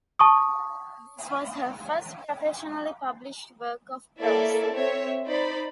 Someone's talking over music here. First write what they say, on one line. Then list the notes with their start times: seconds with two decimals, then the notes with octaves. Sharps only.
This was her first professionally published work of prose.
0.19 A5 C#6 D#6
4.19 A#3 E4 A4 C#5 D5 E5
4.71 C4 C#5 E5
5.25 D#4 C5 D5 B5